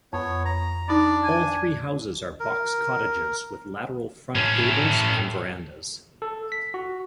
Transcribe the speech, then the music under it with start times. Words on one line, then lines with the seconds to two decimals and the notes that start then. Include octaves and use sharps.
All three houses are box cottages, with lateral front gables and verandahs.
0.13 F2 B3 C#5
0.45 A#5
0.89 D4 D#4 D5 B5
1.24 G#5
2.40 A#4
4.35 A2 C#4
6.22 A4
6.52 B6
6.74 F#4